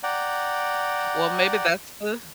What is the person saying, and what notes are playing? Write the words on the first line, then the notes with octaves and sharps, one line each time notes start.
Well, maybe that's the
D5 F#5 G5 A#5